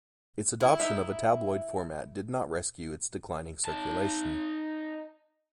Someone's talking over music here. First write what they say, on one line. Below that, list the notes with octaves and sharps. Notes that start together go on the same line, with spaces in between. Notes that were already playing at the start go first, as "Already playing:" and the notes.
Its adoption of a tabloid format did not rescue its declining circulation.
E4
D#4 E5
D#4 A5